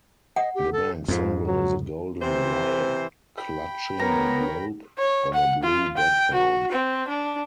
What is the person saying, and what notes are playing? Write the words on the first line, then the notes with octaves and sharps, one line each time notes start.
The bank's symbol is a golden lion clutching a globe, on a blue background.
D#5 F#5
G4
A4
F2 G#2 F3
F#3
C3 E3 C5
G5 B5
B3 A#4 C#5 A#5
C#5
F#5
F4
G5
F#4
C4
D4